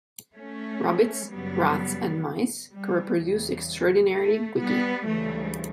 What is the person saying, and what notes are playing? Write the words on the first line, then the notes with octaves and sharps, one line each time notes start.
Rabbits, rats and mice can reproduce extraordinarily quickly.
A3 C#4
F#2 C#3 F#3 G3 B3
G3
E2 C#3 E3 G3
A3
G3 B3
D2 C#3 E3 G3 A3